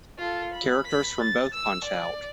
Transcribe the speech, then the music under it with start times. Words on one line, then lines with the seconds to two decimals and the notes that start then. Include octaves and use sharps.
Characters from both Punch-Out!!
0.18 F4 A4
0.54 B5
0.86 B5 B6
1.20 A6
1.54 E6
1.85 D5